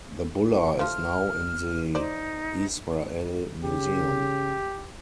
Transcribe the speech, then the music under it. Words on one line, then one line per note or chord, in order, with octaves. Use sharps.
The bulla is now in the Israel Museum.
F3 A3 F4 F6
D#4 C5 D5
C#3 G4